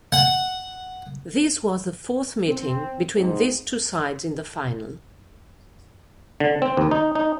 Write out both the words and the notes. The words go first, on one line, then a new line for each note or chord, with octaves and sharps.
This was the fourth meeting between these two sides in the final.
F#5
C4
G#2 C4
D3
C4
D#2
D#4
D#4